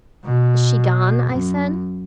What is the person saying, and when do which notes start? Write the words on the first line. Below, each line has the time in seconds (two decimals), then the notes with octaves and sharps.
'Is she gone?' I said.
0.25 B2
1.30 F#2